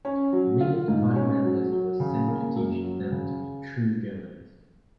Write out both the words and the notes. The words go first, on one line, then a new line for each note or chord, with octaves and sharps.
Militant party members were sent to teach them to be "true Germans".
C#4
F#3
F4
G#2
C#4
F#3
F#3
C#3
A#3
F#2
F#3
C#3